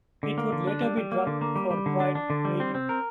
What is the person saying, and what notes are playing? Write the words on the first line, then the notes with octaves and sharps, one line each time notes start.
It would later be dropped for Pride Radio.
D3
A#3
D3
D4
G3
G3
A#3
D3
A#3
G3
G3
D3
D4
D4
D3
G3
C4
C4
A#4